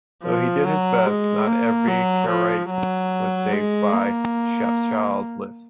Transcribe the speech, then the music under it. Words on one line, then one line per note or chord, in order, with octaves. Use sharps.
Though he did his best, not every Karaite was saved by Shapshal's list.
F3
F#3
G#3
A#3
F#3
F3
F#3
G#3
A#3